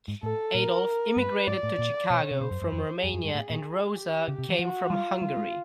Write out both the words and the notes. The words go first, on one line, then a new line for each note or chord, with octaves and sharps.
Adolph immigrated to Chicago from Romania and Rosa came from Hungary.
G#2
A2 A4
A#2 A#4
G2 B4
G#2 D5
A2
A#2
B2 C#5
C3
B2 C5
F#2
F#2
F2
F2 G#4
F#2
G2
A2
A#2
G4
C#3
C3
E3
F3 F#4
G3 F4
G3 F4
G#3